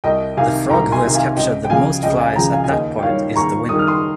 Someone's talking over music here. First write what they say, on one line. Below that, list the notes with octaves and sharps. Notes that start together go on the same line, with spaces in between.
The frog who has captured the most flies at that point is the winner.
C2 D#5 G5
C3 D#3 F5 G#5
C2 G5 A#5
G#5 C6
C3 D#3
F5 G#5
C#2 D#5 G5
G5
C#3 F3 F5 G#5
C#2 D#5 G5
F5 G#5
C#3 F3 G5 A#5
F5 G#5
G#5
D#2 D#5 G5
G5
D#3 G3 C#5 F5
D#2 A#5 C#6
D#3 G3 D#6
F6
C6 D#6